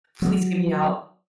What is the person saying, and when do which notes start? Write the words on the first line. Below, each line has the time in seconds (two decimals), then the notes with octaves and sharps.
please get me out."
0.22 F#3